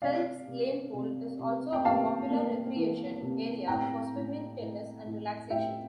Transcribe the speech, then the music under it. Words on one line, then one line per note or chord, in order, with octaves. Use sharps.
Phelps Lane pool is also a popular recreation area for swimming, tennis and relaxation.
C3 D5 F5
C3
C3
C3
G5
A#3 F5 A5
A#3
E3
C3
A2 G5 A#5
A2
A2
A2
A2 E5 G5